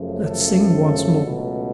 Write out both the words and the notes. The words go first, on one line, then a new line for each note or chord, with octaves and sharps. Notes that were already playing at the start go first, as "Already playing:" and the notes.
Let's sing once more!
Already playing: F#2 C#3 F3 A3
A4
C#2 B2 F#3 A3